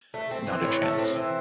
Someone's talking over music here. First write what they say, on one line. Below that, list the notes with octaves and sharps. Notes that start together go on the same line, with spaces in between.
Not a chance!
A3
C4
E3
A2
A3
C4
E3